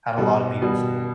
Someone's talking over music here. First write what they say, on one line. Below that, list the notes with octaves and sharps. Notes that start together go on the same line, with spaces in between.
had a lotta beautiful
B2 G3 F#4
B2 G3 F#4